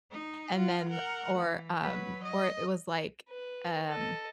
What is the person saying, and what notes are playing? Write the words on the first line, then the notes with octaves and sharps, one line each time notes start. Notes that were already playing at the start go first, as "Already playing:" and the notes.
and then or, um, or it was like, um,
D#4
F4 F#5
A#4 F#5
E3
F#3 B4
D#5
B4
A4 D#5